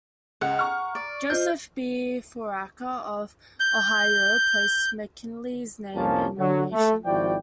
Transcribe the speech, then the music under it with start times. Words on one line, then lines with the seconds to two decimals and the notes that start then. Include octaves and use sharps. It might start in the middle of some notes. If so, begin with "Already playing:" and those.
Joseph B. Foraker of Ohio placed McKinley's name in nomination.
0.41 C#2 F#5
0.59 A#5 C#6 F6
0.95 D5
1.30 F4 C5 D#5 G6
3.60 G6
5.95 C2 F2 F3 A#3 C#4 A5
6.38 D3 F#3
6.72 A3
7.05 G#1 F3 E4 F#4 D5 G5